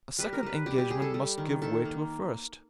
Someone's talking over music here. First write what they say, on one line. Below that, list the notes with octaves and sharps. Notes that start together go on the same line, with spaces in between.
A second engagement must give way to a first.
G3 B4
A#4
G3 B4
G3 G4
G4
G3 G#4
A4
G3
D#3
D#3 A4
A#3